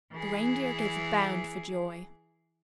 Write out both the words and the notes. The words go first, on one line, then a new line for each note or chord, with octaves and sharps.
The Reindeer gave a bound for joy.
E3 G#4